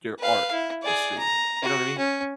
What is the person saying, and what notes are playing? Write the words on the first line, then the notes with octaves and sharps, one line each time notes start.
your art history, you know what I mean?
B4 F5
E4
G#4 D5
A#5
F#4
C#4